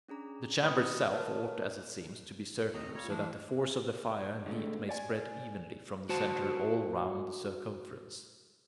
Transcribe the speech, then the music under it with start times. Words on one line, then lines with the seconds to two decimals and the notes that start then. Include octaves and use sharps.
The chamber itself ought, as it seems, to be circular, so that the force of the fire and heat may spread evenly from the centre all round the circumference.
0.09 C#4 D4 G#4 A#5
0.63 A#3 E4 B4 B5 D#6 C#7
1.12 A#4 B4 C#5 A5 F6
2.74 D#2 D#3 A3 C4 D#5 A#5
2.95 G3 F4 C#5 A#5
3.10 E3 A3 D4 E4 C5
4.46 D3 G#3 A3
4.89 D5 G#5
6.09 F#4 C5 A5